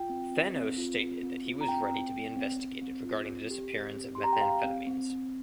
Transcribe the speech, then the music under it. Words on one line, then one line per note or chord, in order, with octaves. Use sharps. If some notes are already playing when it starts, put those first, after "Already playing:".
Thanos stated that he was ready to be investigated regarding the disappearance of methamphetamines.
Already playing: F4 G5
C4
C4
C4
F4
C4
C4
F4
A#5
C4 G5
C4
C4
C4
C4
C4
F4
C4
G4
C4
C4
G4 C6
A#5
G5
C4 F5
C4
C4
C4